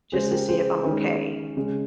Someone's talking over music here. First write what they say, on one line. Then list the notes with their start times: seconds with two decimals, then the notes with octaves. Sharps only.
just to see if I'm okay.
0.12 C#3 G#3 G#4 C5
0.31 G4 A#4
0.48 G#4 C5
0.84 D#3 G#3 C#4
1.57 C#3 G#3 C#4